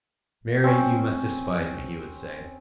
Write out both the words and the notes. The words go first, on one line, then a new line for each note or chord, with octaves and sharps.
"Mary, you must despise me!" he would say.
C4 C#4